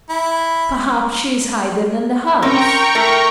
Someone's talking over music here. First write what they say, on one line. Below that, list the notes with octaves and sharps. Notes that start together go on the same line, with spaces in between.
"Perhaps she is hiding in the house."
E4
C4 C#4 A#4 G5 A#5 C#6
A3 E4 A#4